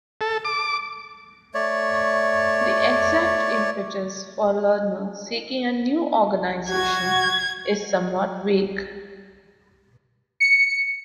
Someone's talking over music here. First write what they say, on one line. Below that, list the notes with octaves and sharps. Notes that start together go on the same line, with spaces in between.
The exact impetus for Lerner seeking a new organization is somewhat vague.
A4
D6
A3 C#5 D5
F#4 G#6
C#7